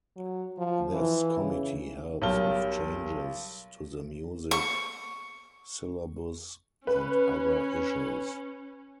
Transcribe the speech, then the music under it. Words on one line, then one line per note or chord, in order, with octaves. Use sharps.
This committee helps with changes to the music syllabus and other issues.
F#3
F3
E3
C#3
B1 G3 A#4 A5 F6 G7
C#6
C#4 B4